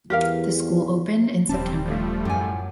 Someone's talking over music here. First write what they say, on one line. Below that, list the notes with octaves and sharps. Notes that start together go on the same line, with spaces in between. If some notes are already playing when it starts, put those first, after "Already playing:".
The school opened in September.
E2 G4 A#4 F5
D#1 C3 G3 C4 C#4 A5
F3 G3 A3
F#2 A2 G#5 D6